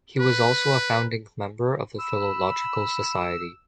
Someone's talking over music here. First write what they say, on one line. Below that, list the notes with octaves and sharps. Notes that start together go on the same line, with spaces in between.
He was also a founding member of the Philological Society.
B4
B5 E6